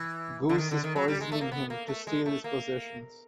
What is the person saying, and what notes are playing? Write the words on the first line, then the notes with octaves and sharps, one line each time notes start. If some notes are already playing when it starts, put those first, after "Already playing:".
Goose is poisoning him to steal his possessions.
Already playing: E3
D3
D#3
D3
D#3
F#3
G3
G#3
A3
A#3
B3
A#3
A3
G#3
A3
A#3